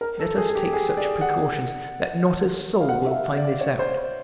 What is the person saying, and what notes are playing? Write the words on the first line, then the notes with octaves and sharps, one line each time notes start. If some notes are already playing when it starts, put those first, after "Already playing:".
Let us take such precautions that not a soul will find this out.
A#4
A4
G#4
G#4
G4
G#4
D5
F#5
F5
F#5
E5
F5
D5
C#5
C5
C5